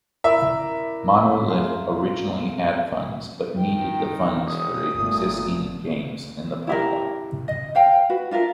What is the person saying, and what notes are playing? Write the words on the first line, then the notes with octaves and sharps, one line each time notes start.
Monolith originally had funds, but needed the funds for existing games in the pipeline.
E4 A#4 D5 E5
G#4 F5 C6
D#3 G5
E1 D#6
G1 A#2 A3
E4 G4 A#4
D#5
C5 F5 G5
F#4 B4
D4 F4 A#4 E5